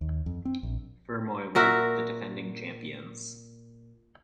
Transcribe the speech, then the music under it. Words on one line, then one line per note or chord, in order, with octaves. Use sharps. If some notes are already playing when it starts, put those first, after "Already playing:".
Fermoy were the defending champions.
D#2
F2
C4
A#1
A#2 F#4 A#4 E5